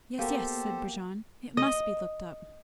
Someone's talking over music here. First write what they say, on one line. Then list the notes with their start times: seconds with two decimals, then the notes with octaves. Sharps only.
"Yes, yes," said Brujon, "it must be looked up."
0.19 A#3 B3 F#4 G4 A4 C5 F5 G5
1.57 D#5